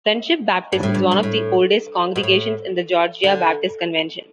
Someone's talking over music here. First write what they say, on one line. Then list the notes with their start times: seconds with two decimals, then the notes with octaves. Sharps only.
Friendship Baptist is one of the oldest congregations in the Georgia Baptist Convention.
0.72 G2
0.83 A2
0.94 G2
1.12 B2
1.23 A2
2.16 B2
2.23 A2
3.24 D3